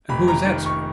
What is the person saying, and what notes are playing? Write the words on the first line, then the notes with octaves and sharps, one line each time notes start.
"And who is that, sir?"
F1 B5
A#5
D#3
C#6